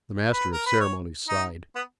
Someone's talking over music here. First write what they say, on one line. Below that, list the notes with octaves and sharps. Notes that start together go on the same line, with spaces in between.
The Master of Ceremonies sighed.
B4
A#4
B4
C#5
D#4
B3